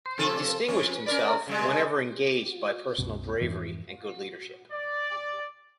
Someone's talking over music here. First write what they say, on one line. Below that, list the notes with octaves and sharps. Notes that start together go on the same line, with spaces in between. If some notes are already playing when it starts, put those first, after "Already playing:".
He distinguished himself, whenever engaged, by personal bravery and good leadership.
C3 F3 A4
F2 C#4
C#4 A#4 D5
C#3 G3 G#3
C2 F#2 B2
F2 G#2 E3
D5